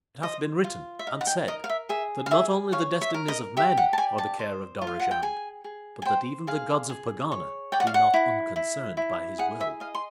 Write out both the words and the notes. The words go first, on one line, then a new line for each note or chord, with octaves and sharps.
It hath been written and said that not only the destinies of men are the care of Dorozhand but that even the gods of Pegana be not unconcerned by his will.
C5 D#5
F4
E5
D#4 F5
F#5
G5
A#4 D#5
F5
E5
G#4 E5
F5
G#4 E5
C#5 F5
E5
A#4
D#5
G4 E5
F#5
A5
D5 G#5
A5
C5
F4
F5
F#5
G5
G#4 G#5
G#4
G#5
C5 G5
G#4 F5
G#4
C#5
D5 G5
F#5
F5
F#5
E4
E4
E4
G#4 F#5
E5
D#5 F5
C6